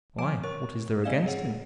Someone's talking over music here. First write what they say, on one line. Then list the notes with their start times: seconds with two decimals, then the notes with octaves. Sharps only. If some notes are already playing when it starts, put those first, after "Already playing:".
"Why, what is there against him?"
0.18 F3 G#5 D6 D7
0.43 A#4 C#5 C#6
1.04 C4 D5 D#5 F5 G#6 E7
1.26 G#4 C#5 F#5